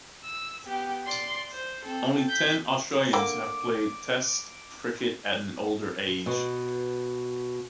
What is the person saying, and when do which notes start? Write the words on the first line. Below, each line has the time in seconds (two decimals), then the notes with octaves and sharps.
Only ten Australians have played Test cricket at an older age.
0.24 E6
0.66 B3 G4
1.05 D5 C6
1.52 C5
1.83 C4 A4
2.29 G6 B6
3.13 D3 A#3 D6
6.26 B2